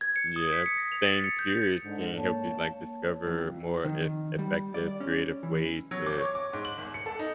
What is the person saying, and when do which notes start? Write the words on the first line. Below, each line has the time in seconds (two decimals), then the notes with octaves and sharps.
Yep, staying curious can help you, like, discover more eff effective, creative ways to
0.01 G#6
0.16 C#7
0.36 D#6
0.53 B6
0.66 C#7
0.78 A#6
0.92 F7
1.10 A6
1.24 C#7
1.39 G6
1.84 G#2 D3
2.16 A#3 C#5 A5
3.27 F2
3.84 D#3
4.39 G3
4.74 D5
5.00 C#4
5.43 E3
5.91 F#3
6.07 D6
6.18 C#5
6.35 D6
6.53 G#2
6.65 F#7
6.78 G#1
6.94 C#7
7.06 A4
7.19 D#4